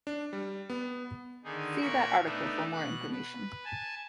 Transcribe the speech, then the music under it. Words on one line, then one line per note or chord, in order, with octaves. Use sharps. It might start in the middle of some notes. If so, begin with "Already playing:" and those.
See that article for more information.
D4
G3
B3
D3 D#3 D#4 G#4
A#2 A#4 B5 C#6
A3 B3 D4 D#4
B2 F#6
B4
G#5 A5